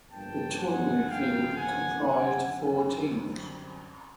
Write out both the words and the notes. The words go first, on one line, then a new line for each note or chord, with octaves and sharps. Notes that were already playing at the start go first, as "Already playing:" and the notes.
The tournament field comprised four teams.
G1 G2 D3 F3 A#3 G5 A5
F#5 G#5
F5 G5
F#5 G#5
F#2 D3 G3 C4 F#5 G#5